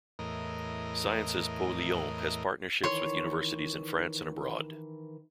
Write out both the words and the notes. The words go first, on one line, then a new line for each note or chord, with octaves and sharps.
Sciences Po Lyon has partnerships with universities in France and abroad.
E2 A2 A#4 D#5
D#3 E3 C#5 C6 C#6